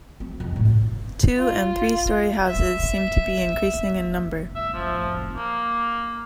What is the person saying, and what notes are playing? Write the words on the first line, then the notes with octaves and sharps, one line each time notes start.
Two and three-storey houses seem to be increasing in number.
C4
F2
A1 A2
F4
E5
E5
F3
A#3